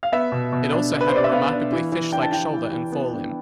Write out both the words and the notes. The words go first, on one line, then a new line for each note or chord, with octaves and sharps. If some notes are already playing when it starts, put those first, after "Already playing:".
It also had a remarkably fish-like shoulder and forelimb.
F5
B3 E5
B2
B2
D4
D4
B4
C5
D4 D5
E5
B3 F5
D4
E3
E3
D4 G5
A5
E3 G5
E3
E3
B3
D4